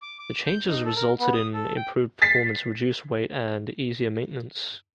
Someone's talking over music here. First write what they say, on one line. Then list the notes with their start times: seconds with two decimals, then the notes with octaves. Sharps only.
The changes resulted in improved performance, reduced weight, and easier maintenance.
0.02 D6
0.19 D6
0.46 G6
0.68 D#4
0.85 A4
0.96 A#4
1.20 B3
1.33 D#6
1.53 A4
1.76 G5
2.22 A6 B6 C7